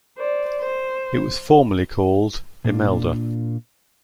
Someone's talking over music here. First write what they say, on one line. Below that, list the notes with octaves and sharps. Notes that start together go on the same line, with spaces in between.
It was formerly called Imelda.
C5 D5
C5
A#2 A#3 D4 F4